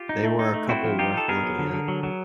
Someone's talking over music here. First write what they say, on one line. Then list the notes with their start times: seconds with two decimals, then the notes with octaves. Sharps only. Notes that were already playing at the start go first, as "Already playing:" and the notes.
They were a couple worth looking at.
Already playing: F4 G4
0.09 D#4
0.24 A3
0.39 D#4
0.54 A3
0.69 C4 E4 F#4
0.84 F3
0.99 D#4 F4 G4
1.14 D#4 A4
1.28 B3 G#4 A#4
1.43 F#3
1.59 D3
1.73 D3
1.88 F#3
2.03 F#3